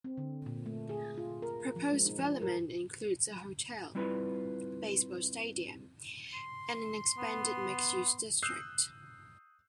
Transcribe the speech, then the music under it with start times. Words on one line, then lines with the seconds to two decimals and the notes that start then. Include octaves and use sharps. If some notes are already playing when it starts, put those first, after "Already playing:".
The proposed development includes a hotel, baseball stadium, and an expanded mixed-use district.
0.04 C4
0.18 D3
0.46 A#2
0.66 A3
0.89 G#4
1.18 F4
1.42 A#4
1.76 F3
1.92 G#3
2.06 D#4
2.19 F3
2.42 A#4
3.95 G3 C4 E4 F4 B4 B5
6.34 C6
7.18 B3
8.43 D#6 E6 F#6 G6 C7